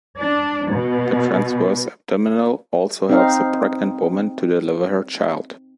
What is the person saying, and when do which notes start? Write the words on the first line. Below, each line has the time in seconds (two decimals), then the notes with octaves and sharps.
The transverse abdominal also helps a pregnant woman to deliver her child.
0.19 D4
0.70 B2
3.09 C4 D#4 F5